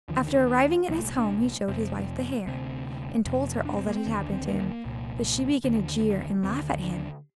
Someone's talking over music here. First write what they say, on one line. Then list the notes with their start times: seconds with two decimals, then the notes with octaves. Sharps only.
After arriving at his home, he showed his wife the hair, and told her all that had happened to him, but she began to jeer and laugh at him.
0.08 D#2 D3 F3
0.21 D#3
0.34 D3
0.46 D#3
0.88 C2 A#2 F3
0.98 A3
1.18 D4
1.68 F2 C3 C4
2.47 D2 C3 C4
3.26 F2 C3
3.65 D4
3.76 C4
3.86 A#3
3.96 C4
4.05 D#2 D3
4.21 D4
4.32 C4
4.45 A#3
4.85 C2 A#2
5.64 D#2 D3
6.43 D#2 D3 C4
6.83 D4